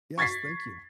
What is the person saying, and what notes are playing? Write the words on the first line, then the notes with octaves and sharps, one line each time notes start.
Yes, thank you.
C#6 G#6 A6 B6 C7